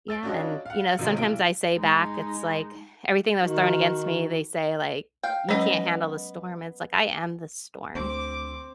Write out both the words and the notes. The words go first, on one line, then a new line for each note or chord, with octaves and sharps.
Yeah. And, you know, sometimes I say back, it's like everything that was thrown against me, they say, like, "You can't handle the storm." It's like, "I am the storm."
E6 A6 D7
C#4 D4 F4 F#4 A4 D#5
F5 F#5
C3 D#3 F3 F#3 G#3
B1 E4 D7
G#3 D#4
D#3 F#4
F5 G5
F#3 G#3 B3 C#4 D#4 D#5
D2 C4 D6